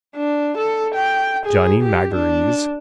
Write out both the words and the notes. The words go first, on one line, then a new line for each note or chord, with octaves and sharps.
Johnny Magories.
D4
A4
G5
G#4
G4
D4